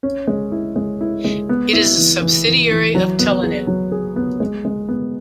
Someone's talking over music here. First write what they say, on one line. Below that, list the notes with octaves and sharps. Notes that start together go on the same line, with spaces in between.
It is a subsidiary of Telenet.
C#4
G#3
E4
G#3
E4
G#3
B3
E4
E3
E3
E3
E3
F#3
B3
G#4
F#3
G#4
B3
G#3
G#3
B3